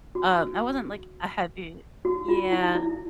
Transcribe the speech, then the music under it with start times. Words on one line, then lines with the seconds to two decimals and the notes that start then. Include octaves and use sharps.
um, I wasn't, like, a heavy yeah.
0.15 F#4
2.05 F#4
2.28 F4
2.52 E4
2.75 E4